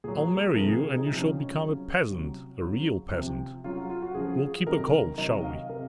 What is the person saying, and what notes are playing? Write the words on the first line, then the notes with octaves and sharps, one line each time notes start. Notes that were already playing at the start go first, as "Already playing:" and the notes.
I'll marry you, and you shall become a peasant, a real peasant; we'll keep a colt, shall we?
A#2 F#3 G#4
G#4
C3 F3 A#4
G#4
D#4
C3 F3 D#4
C#4
C#4
C#3 F#3
C3 F#3
C#3 F#3
C3 F3
C#3 F#3 F4
F#4
F4
F#4
C#3 F3 G#4
C3 D#3 F#3 A#4
C3 D#3 F#3 D#5
F5
C3 A#4